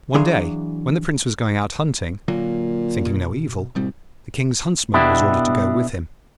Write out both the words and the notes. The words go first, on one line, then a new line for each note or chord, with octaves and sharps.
One day when the Prince was going out hunting, thinking no evil, the King's Huntsman was ordered to go with him.
E3 F#3 D4 G#4 F5 C6
A#2 D3 F#3 A#3
B2
C2 G#2 B2 G3
B2 B3 D4 E4 G4